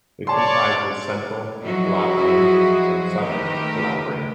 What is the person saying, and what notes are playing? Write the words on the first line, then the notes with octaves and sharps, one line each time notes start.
It comprises Central Calabrian and Southern Calabrian.
C#5 D5 A5 C6
F3 F#3 E4 F#4 G#4 D#5
D#3 A3 G4 A#4 B4